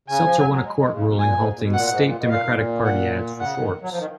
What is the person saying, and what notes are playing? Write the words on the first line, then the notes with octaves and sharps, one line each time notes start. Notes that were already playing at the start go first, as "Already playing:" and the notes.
Seltzer won a court ruling halting state Democratic Party ads for Forbes.
C#3 G#5
F3
F#3
F#3
G#3
G#3
C#3
B2
A#2 G#5
G#2
A#2
B2
A#2 F#5
G#2
A#2
B2
A#2 F5
G#2
A#2
F#5
C#3 F#5
D#3
F#3
F3
D#3